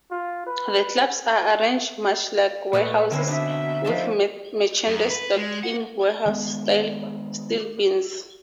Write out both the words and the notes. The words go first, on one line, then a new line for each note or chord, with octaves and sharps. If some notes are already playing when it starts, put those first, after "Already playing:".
The clubs are arranged much like warehouses, with merchandise stocked in warehouse-style steel bins.
F4
B4
A#2 A3 B4 D#5 F#5
D3 A#3 C4 C#4 E4
B1 B2 D4 D#5 E5
C#2 F3 D#4 D#5 A5
F#2
B4
G#3
F#5
D#3 G#3 B3